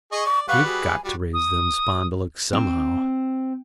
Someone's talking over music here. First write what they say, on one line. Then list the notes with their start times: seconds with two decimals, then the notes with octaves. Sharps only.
We've got to raise them spondulicks somehow.
0.12 G#4 D#5 C#6
0.26 D5 C#6
0.48 G3 B4 F5 F#5 C#6 F#6
0.66 F#4 G#4
0.88 G#5
1.05 G3 F#4
1.34 D#6
2.53 C4